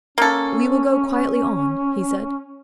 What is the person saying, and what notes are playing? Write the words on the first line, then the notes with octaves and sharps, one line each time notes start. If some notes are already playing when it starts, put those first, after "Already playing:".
"We will go quietly on," he said.
A#3 C#4 A4